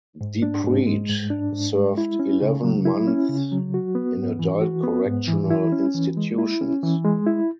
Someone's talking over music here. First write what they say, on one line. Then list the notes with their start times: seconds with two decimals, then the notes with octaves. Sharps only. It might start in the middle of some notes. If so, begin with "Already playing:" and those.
DiPrete served eleven months in Adult Correctional Institutions.
0.21 G#2
0.42 D4
0.64 G#2
0.87 G#3
1.09 G#2
1.30 D4
1.53 G#2
1.75 G#3
1.98 E4
2.19 C#4
2.42 C#3
2.64 F#3
2.85 E4
3.08 C#4
3.29 C#3
3.52 F#3
3.74 F#4
3.95 B3
4.17 G#2
4.39 E3
4.61 F#4
4.83 B3
5.06 G#2
5.28 E3
5.50 E4
5.72 C#4
5.94 E3
6.17 G#3
6.38 E4
6.61 C#4
6.83 E3
7.05 G#3
7.26 E4